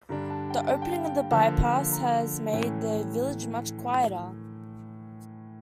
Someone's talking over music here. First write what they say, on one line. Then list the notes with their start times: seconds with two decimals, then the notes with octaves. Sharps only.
The opening of the bypass has made the village much quieter.
0.09 G2 D3 G3 D4 A#5
0.30 A5
0.50 G5
0.70 A5
0.82 G5
0.94 F5
1.05 G5
1.31 D3 F3 A#3 A5
1.92 A#5
2.53 A2 E3 A3 C#4